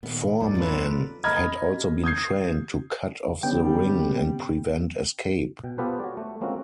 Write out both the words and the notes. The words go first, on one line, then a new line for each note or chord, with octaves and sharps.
Foreman had also been trained to cut off the ring and prevent escape.
A#2 D#3 B3
A1 E2 G#2 F#3 D#4 D5
B3 C#4 F4 A4 B4
D#5 A#5 B5 F6 G#6
D#6 G6 G#6 C7
D3 F#3 G3 B3 C#4 G5
B2 G5
B3 F4 G4 A4 B4 C5
F#4 C#5 D5
A3
G#3 A#3 C4 C#4 F4 F#4